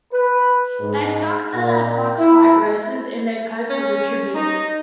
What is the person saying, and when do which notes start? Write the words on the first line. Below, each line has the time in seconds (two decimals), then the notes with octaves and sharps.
They stuck the plucked white roses in their coats as a tribute.
0.12 B4
0.80 G#2
1.55 A#2
2.17 E4
3.69 C#4
4.34 D#4